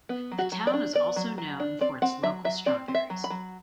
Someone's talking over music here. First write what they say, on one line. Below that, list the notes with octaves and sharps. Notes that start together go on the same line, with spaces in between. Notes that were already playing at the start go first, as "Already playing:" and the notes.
The town is also known for its local strawberries.
B3
F#3
F#4
F#3
D5
D4
B3 D5
F#3
F#3
D4
C4 D5
C4 F#5
F#3 E5
F#3 E5
C4 D5
C4
E5
F#3
B5
F#3